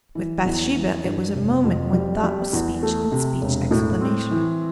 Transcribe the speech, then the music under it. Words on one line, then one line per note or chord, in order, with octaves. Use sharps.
With Bathsheba it was a moment when thought was speech and speech exclamation.
E3
E2
E3
G2
F1
F2
G3
G3
E2
A3
C3
E1
A2
C4
E3